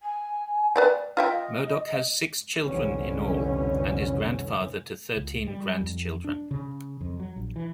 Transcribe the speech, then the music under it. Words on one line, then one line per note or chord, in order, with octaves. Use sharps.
Murdoch has six children in all, and is grandfather to thirteen grandchildren.
G#5
B4 D5 G5
F4 D#5 E5 G5
F1 C2 B2 D3 E3 C#4
C#2
G3
F2
D4
C#3
F2
F#3
A#1
E3